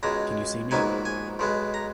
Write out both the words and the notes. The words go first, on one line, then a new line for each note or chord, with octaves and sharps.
Can you see me?
C#2 B2 G#3 A#5
A#1 G#2 D#3 F#3 B3 G#5
G#5
B1 B2 G#3 B3
A#5